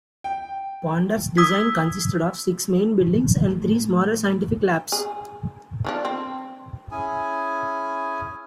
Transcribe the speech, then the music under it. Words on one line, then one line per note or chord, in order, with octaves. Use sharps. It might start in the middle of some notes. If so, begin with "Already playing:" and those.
Ponder's design consisted of six main buildings and three smaller scientific labs.
G5
D#6 E6 G#6 B6
A2 D#3
G#4
D#3 F3 D4
C4
C#4 E4 G#4 G#5